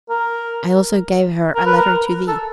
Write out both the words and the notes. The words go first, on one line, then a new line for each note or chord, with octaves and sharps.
I also gave her a letter to thee.
A#4
A#4
B4
A#4
A4